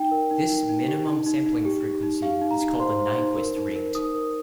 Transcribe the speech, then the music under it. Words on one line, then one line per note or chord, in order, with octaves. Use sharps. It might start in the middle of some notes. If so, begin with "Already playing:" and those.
This minimum sampling frequency is called the Nyquist rate.
Already playing: D#4 G5
A#4
D#4
D#4
D#4
G4
D#4
D#4
D#4
G4
G4
D#4
G4 F5
D#4
A#5
D#4
C5 C6
C5
D#4
A#4
D#4
A#4
D#4 D#6
A#4